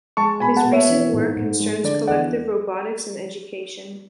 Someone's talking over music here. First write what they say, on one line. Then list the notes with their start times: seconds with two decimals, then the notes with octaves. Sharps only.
His recent work concerns collective robotics and education.
0.17 G#3 A5 C#6
0.40 B2 G#5 B5
0.57 F#5 A5
0.64 B2
0.72 C#5 E5
0.89 E3
1.13 G#2
1.36 G#2
1.60 G#3
1.84 D3 D5
2.07 E2 D5 F#5